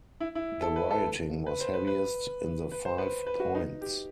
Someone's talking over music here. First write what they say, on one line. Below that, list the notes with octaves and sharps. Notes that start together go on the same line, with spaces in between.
The rioting was heaviest in the Five Points.
E4
E4
A4
B4
A4
B4
C5
B4
B4
B4
C5
B4
B4
F#4
D#4
G4